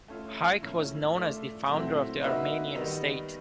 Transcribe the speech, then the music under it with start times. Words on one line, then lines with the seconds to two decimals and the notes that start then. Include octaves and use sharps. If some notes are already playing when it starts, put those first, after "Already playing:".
Hayk was known as the founder of the Armenian state.
0.08 A3 C#4 F4
0.62 A2 F3 A#3 C#4
1.15 A3 D4 F4
1.69 A#2 F#3 A3 C4 E4
2.22 A#3 D#4 F#4 B4 E5
2.75 D#3 G3 B3 D#4